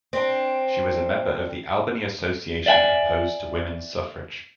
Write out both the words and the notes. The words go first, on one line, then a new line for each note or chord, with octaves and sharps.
She was a member of the "Albany Association Opposed to Women's Suffrage".
C4 D4
D5 E5 F#5 G#5